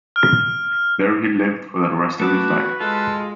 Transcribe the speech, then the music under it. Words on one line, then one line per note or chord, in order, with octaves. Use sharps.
There he lived for the rest of his life.
F6
A3 F#4 B4 A5 D6
G#3 F4 A4